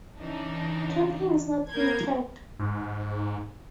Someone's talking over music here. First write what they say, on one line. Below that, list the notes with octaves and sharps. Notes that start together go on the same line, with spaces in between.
Camping is not permitted.
C#3 E3 D4 D#4
A#3 B3 A#4 G6 G#6
G#2